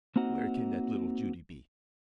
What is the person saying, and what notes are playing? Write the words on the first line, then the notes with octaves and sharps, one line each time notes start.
Where can that little Judy be?
A#3 C4 D#4 F#4 F#5